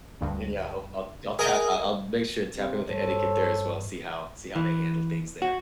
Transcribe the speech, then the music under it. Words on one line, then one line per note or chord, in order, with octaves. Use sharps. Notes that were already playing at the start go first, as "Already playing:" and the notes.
And, yeah, hope I'll I'll ta I'll I'll make sure to tap in with the etiquette there as well, see how see how they handle things there.
D2 G2
G#4 A#4 D#5
C3
G2 A4 C5 C#5
E3
F#4